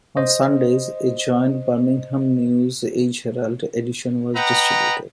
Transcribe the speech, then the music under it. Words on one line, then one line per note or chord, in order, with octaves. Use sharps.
On Sundays, a joint "Birmingham News Age-Herald" edition was distributed.
C5 D#5
B4 D#5 F#5 G5 A#5